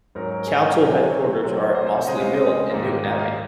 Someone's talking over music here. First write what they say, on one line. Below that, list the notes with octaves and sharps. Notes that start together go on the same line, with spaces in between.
Council headquarters are at Mossley Mill in Newtownabbey.
G#2 F#3 C#4 A#4
A#4
G#4
C3 F#3 C#4
C3 F#3 C4
C5
C5
C#5
C#3 G#3 C4 D#5
F5
D#5
G#2 D#3 A#3
D#5
F5